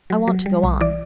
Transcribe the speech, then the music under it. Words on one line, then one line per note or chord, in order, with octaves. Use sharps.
"I want to go on."
F#3
F#3
G3
B1
E3 D5